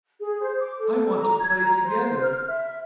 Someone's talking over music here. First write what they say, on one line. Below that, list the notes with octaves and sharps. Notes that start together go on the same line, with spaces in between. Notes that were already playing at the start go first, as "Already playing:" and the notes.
I want to play together.
G#4
C5
D6
A4
A#5
G#6
A#5
C5
F6
E5